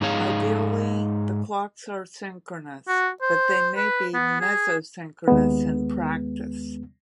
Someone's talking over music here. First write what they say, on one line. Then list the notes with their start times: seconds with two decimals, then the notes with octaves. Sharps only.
Ideally, the clocks are synchronous, but they may be mesochronous in practice.
0.01 G#2 D#4 G#4 C#5 F5
2.88 F#4
3.22 C5
3.77 B4
4.14 B3
4.40 G#4
5.28 D#2 G#3 B3